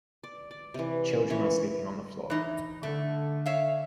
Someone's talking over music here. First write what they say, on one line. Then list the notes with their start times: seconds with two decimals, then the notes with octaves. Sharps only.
Children are sleeping on the floor.
0.23 D5
0.51 D5
0.74 C3 E3
1.10 C#4
1.30 E3 C#5
2.30 E3 D#4
2.83 D3 A3
3.46 C#5 E5 F5